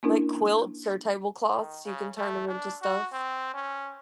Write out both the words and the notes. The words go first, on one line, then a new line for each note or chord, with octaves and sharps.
Like quilts or tablecloths, you can turn 'em into stuff.
A#3 C#4 D4 E4 A#4
D#3
C#3
A3
D4
F#4
C4
C#4